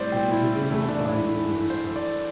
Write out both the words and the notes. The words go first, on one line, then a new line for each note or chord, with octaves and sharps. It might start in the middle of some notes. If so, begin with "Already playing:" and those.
It is available via numerous sites.
Already playing: A2 G3 C4 C5 D5
G5
E4
E4
E2 E3 A3 E4
D4
E4
E4
E4
C5
D5